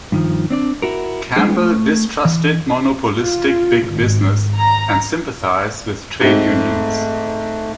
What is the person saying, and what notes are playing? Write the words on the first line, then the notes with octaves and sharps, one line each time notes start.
Campbell distrusted monopolistic big business and sympathized with trade unions.
G2 D#3 F3
C4 D4 D5
E4 F#4 A#4
G3 G#3 B3 C4 D4 G#4
A3
E3
F4
G#1
A#5
G#2 A3 C4